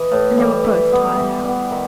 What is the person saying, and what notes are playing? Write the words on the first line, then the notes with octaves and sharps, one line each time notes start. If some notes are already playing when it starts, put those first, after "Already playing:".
And they were both tired out.
Already playing: E3 D#5
A2
E3 G3
E3 E5
G3 B3
E3
G3 B3
D#3 E5